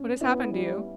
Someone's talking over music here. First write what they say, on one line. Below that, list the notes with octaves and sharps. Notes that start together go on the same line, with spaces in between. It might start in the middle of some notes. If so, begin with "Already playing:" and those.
What has happened to you?
Already playing: C#4
B3 C#4 E4
G3